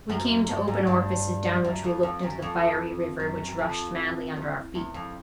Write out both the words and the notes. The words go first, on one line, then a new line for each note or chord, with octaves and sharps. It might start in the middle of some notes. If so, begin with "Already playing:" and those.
We came to open orifices down which we looked into the fiery river which rushed madly under our feet.
F#2
G2
G#2
G2
F#2
F2
F2
F#2
F2
F#2
F#2
F2
E2
E2
F2